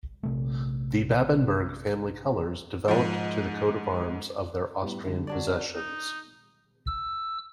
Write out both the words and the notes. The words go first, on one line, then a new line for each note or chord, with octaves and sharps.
The Babenberg family colors developed to the coat of arms of their Austrian possessions.
A#1 C3 A3
G#2 F3
A2 G3 B3
D3 G3
F#3 D4 D5
F6
D#4
E6